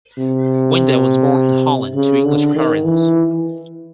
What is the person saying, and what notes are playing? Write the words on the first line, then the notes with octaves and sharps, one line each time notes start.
Winde was born in Holland to English parents.
C3
C#3
D3
D#3
E3